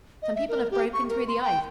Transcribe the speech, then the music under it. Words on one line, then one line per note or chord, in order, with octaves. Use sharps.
Some people have broken through the ice.
D#5
E5
A#4
G4
C#6
A#4
C6
G5